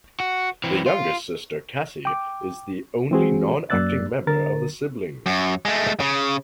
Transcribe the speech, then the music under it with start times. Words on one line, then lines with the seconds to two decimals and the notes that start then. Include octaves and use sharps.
The youngest sister Cassie is the only non-acting member of the siblings.
0.20 F#4
0.64 E3 C4
0.86 F4
2.05 G5 D6
3.11 E3 G#3 C4 F#4 G#4
3.70 F#2 A#3 D5 E6 F#6 A6
4.27 D3 A#4 A6
5.26 F#2
5.65 G#3 A3
6.00 C#3